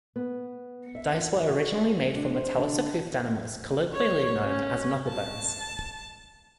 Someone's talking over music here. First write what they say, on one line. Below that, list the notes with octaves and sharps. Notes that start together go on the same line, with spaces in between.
Dice were originally made from the talus of hoofed animals, colloquially known as "knucklebones".
B3
E5
F4
F#2
F#4
D4
C5
D3
C#5
C#4
A5